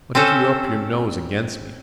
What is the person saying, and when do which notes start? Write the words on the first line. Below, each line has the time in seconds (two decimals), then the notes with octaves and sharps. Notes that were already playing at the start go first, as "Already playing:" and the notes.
What have you up your nose against me?
0.15 C4 C#4 A4 C5